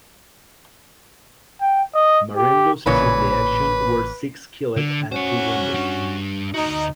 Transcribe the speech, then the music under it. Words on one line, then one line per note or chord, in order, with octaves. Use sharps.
Marine losses in the action were six killed and two wounded.
G5
D#5
G4
A1 A#2 C#3 E3 B4 C#5
D3
C#4 F#4 C5 F#5
G3 D4
D2 D#4 F#4